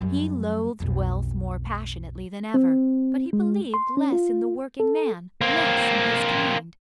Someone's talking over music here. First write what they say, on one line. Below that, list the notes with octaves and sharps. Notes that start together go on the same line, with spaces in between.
He loathed wealth more passionately than ever; but he believed less in the working man, less in his kind.
F#2 G3
B1 F2
C4
G#3
C6
C#4
F4
A4
A#3 C4